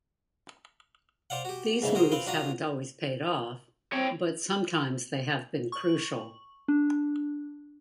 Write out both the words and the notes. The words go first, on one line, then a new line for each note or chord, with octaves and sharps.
These moves haven't always paid off, but sometimes they have been crucial.
C5 D5 F5 F#5
F#4 G4
G#2 C#3 E3 A5
F#4 G#4 A#4 C5
C4 B4 F5 G5
D4 F4 F#4 A#5
C4 C#5 G5
C#6 F#7
D4